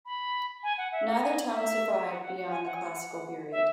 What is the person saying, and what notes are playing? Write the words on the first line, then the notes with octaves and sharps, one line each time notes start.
Neither town survived beyond the classical period.
B5
G#5
F#5
E5
F#5
G#5
E5
F#5
F#5
F#5
G#5
F#5
G#5
F#5
E5